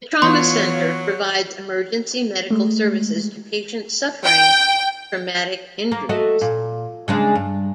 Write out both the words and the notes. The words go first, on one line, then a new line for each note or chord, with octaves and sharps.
The trauma centre provides emergency medical services to patients suffering traumatic injuries.
E3 F#3 B3 F4 C#5 C6
G#3 A3
G5
A#3
A3 F#4 D#5
A#2
C#3 G#3 D4
G2